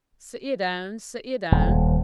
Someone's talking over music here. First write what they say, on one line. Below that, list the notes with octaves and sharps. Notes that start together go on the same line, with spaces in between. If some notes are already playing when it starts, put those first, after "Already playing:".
'Sit ye down, sit ye down.
D#1